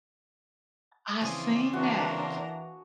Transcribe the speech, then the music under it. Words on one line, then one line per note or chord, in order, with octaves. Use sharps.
I seen that.
C#3 E3 F3 C4 D5 G#5 D#6
E3 A#3 D4 F#4 A#5